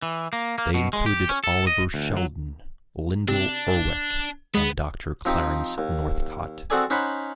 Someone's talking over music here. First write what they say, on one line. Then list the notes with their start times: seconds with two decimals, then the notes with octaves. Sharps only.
They included Oliver Sheldon, Lyndall Urwick and Doctor Clarence Northcott.
0.02 E3
0.33 A#3
0.58 A#3
0.74 B2
0.93 G#3
1.06 G4
1.29 C#4
1.44 A4
1.67 D#5
1.94 D2
2.17 F#3
3.28 C3 D4
4.54 G#3 B3
5.25 F3 C4 D#4 G4
5.78 D#2
6.70 C4 F#4 G#4 A4 D5 G#5
6.90 C#4 D#4 C5 F#5 B5